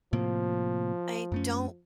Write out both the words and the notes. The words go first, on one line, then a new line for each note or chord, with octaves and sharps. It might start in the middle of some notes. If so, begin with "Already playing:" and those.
I don't
A2 C3 F3 A#3
F#2 A3 C#4